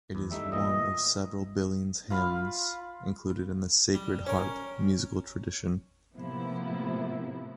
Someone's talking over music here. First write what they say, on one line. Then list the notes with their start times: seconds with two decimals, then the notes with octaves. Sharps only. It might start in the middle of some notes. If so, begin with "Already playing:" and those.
It is one of several Billings' hymns included in the "Sacred Harp" musical tradition.
0.15 E2
0.31 G3 A3 D#4 E5
0.52 A#2 E3 D#5
2.10 F4 F5 B5
3.94 G3
4.27 C#4 A#4 C#5
6.15 A2 C3 F3 A#3 B3 E4